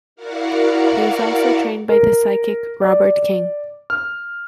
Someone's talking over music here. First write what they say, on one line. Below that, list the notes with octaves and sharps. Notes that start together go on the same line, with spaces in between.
He was also trained by the psychic Robert King.
E4 F#4 A#4 D5 F5 F#5
A#4
D5
F6